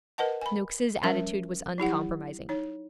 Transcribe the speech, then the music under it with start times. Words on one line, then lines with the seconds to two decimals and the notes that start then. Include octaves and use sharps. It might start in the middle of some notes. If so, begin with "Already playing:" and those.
Noakes's attitude was uncompromising.
0.18 A#4 B4 D#5 F#5 A5
0.41 G#5 B5
1.02 F3 G3 C#4 A#4 E5
1.78 F#3 E4 G4 F#5
2.49 D#4 C#5